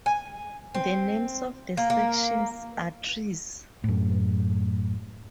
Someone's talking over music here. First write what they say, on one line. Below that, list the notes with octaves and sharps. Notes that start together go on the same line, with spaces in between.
The names of the sections are trees.
G#5
C4
A#3
A#3
F#2 A2